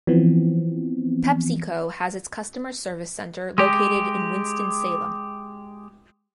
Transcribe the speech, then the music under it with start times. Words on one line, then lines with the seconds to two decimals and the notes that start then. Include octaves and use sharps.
PepsiCo has its Customer Service Center located in Winston-Salem.
0.07 E3 F3 B3 C4
3.58 G#3 G4